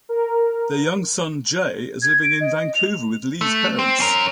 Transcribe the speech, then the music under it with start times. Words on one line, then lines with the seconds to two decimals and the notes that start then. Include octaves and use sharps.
Their young son, Jay, is living in Vancouver with Lee's parents.
0.09 A#4
2.02 G#6
2.23 D7
2.41 D#5
2.75 F7
3.41 A3
3.79 C4
4.00 C#4 A#4